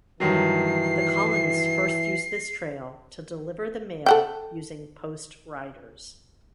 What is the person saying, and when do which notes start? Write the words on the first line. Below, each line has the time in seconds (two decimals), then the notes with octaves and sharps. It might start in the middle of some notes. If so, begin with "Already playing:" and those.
The colonists first used this trail to deliver the mail using post riders.
0.20 G2 D#3 E3 F#3 C7
4.06 A4 F#5 G5